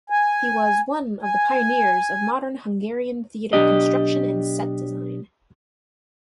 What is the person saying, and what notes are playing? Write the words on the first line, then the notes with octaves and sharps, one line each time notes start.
He was one of the pioneers of modern Hungarian theater construction and set design.
G#5
G#5
B1 D4 G4 D#5